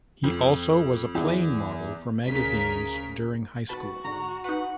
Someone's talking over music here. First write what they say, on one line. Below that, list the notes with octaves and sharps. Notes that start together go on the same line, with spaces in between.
He also was a plane model for magazines during high school.
F2
E2
D2 C#3 A#4 B6
G#1 F#4 B4 A5
G#2 D3 A#5
D#4 B4 F#5